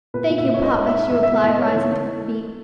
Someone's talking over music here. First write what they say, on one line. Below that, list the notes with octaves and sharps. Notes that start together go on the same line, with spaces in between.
"Thank you, papa," she replied, rising to her feet.
A#2 B4
A#2
E5
A#2
C#5
G#2 D#5
G#2
E5
G#2
E2 E5
E5
B2
E5
E2 D#5
G#2 C#5
E3
E3